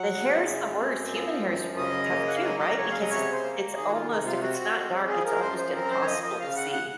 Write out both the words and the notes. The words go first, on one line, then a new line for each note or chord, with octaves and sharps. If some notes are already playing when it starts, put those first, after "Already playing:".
The hair is the worst. Human hair is r tough too, right? Because it's it's almost if it's not dark, it's almost impossible to see.
Already playing: F#3 F#5
C#3
F#2
C4
F3
F#2
C#3 D#5
A#3
F#5
F5
F#3 D#5
D#5
C#3 C#5
F5
D#5
C3 C#5
C5
A#3
D#3 G#4
F#4
F4
C3 D#4
F4
C4 F#4
G#3
F3 G#4
A#4
F#2 C5
C5
C4 A#4
C5
C#5
F3 D#5
D#5
C#3 F5
F#5
F#5